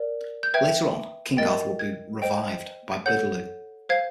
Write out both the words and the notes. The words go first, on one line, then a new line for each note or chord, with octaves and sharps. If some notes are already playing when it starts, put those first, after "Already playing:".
Later on, King Arthur would be 'revived' by Biddeloo.
Already playing: A#4 D5
G6
B4 E5 G5 G#6
A#4 D#5 G5 A6
G#6
C5 D#5 G5
A4 C#5 F#5 G6
C5 F5 G#6